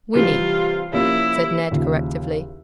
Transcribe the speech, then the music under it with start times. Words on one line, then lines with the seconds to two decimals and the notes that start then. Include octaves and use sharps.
"Whinny," said Ned correctively.
0.14 C3 E3 G3 F4
0.93 C3 F3 A#3 C#4 E4
1.71 D#2 C#3 F3